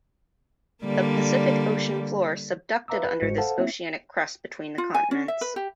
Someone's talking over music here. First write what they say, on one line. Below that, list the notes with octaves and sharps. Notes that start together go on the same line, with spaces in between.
The Pacific Ocean floor subducted under this oceanic crust between the continents.
D3 G3 A#3
B4 E5 F5 A#5 D6 E6
B4
G1 G#2 G#3 F#4 C5 C#7
A4 C5 F5 F#5 A5
A#3 C4 E4 E5
F4
G#5
C#4
E5
B4
G4